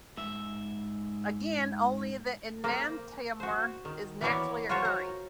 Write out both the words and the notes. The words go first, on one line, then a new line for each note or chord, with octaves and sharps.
Again, only the enantiomer is naturally occurring.
G#2 E5
A#3 A#4 C5
F#4 C5
D#3
E3 A#3 B3 E4 C#5 D5
F4 F#4 A#4 C5 C#5
A#5